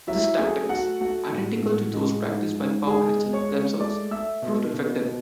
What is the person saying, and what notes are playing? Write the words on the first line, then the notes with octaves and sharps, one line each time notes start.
These tactics, identical to those practiced by the Powhatan themselves, proved effective.
F#3 E4 E5
A3 G#4 G#5
A3 F#4 F#5
A3 F#4 F#5
A2
A2
G#3
G#2
G#2
G#3 G#4 G#5
G#3
C#5 C#6
G#3
A3 D5 D6
A3 E5 E6
B2
B2
B2